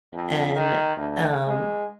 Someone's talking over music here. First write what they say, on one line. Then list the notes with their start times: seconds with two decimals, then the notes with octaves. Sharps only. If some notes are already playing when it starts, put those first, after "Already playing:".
and, um,
0.13 F2
0.55 D#3
0.97 D2
1.47 G#3